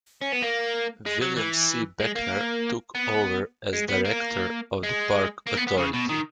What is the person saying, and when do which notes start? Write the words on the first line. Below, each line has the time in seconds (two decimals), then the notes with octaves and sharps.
William C. Beckner took over as director of the Park Authority.
0.21 C#4
0.32 B3
0.43 A#3
1.06 G#3
1.22 F#3
1.37 E3
2.00 G#3
2.16 A#3
2.95 B3
3.73 G#3
3.89 B3
4.05 A#3
4.83 G#3
5.47 A#3
5.57 B3
5.67 B3
5.78 C#3
5.94 B2
6.09 D#3